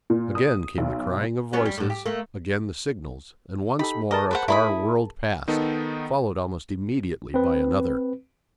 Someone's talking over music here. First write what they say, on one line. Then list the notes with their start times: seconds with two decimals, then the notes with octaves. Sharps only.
Again came the crying of voices, again the signals, and once more a car whirled past, followed almost immediately by another.
0.10 A#2
0.35 D#6
0.78 B1
1.53 F#3 B3 C#4
1.65 G3
1.78 A2 D3
1.90 G4
2.06 A3 A#3
3.79 D#4 G4 A4 B5
4.11 G#4 A#4 D#5 A5
4.31 B4 C5 F#5
4.48 E4 B5 D#6
5.48 D#3 B3 D#4 A4
7.34 C4 B4